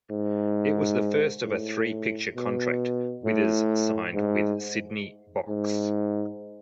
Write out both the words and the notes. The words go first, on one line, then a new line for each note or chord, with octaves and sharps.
It was the first of a three-picture contract Withers signed with Sydney Box.
G#2
A2
B2
A2
G#2
G#2